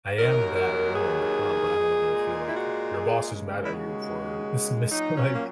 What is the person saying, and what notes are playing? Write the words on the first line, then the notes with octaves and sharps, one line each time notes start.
I am that role in the club, but I don't wanna feel like "Your boss is mad at you for" this missed like,
D#2 D#3 F#3 A#4
A#4
G#4
A#2 G#3
E4
F#4
G#4
D#2 C#3 G#3
E4
F#4
A#2 F#3 D#4
C#4
A#3